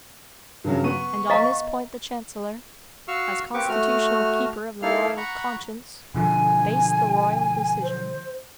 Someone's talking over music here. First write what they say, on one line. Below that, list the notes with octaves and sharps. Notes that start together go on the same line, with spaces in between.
And on this point the chancellor, as constitutional keeper of the royal conscience, based the royal decision.
G2 C#3 F#3 A#4
B3 C#6 D#7
D#5 F5 A#5
F#4 F5 C#6 E6 F6
A#3 C4 G4 B4 C#6 D6
A3 F#4 F6
A#3 D#4 E4 A4 F5 F6
F#5 A#5 B5 C#6
B2 D3 F3 G#5
C5